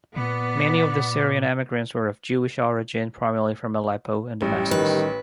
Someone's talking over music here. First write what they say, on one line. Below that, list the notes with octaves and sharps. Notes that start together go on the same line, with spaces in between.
Many of the Syrian emigrants were of Jewish origin primarily from Aleppo and Damascus.
A#2 B3 D5
A1 G3
D#3 B4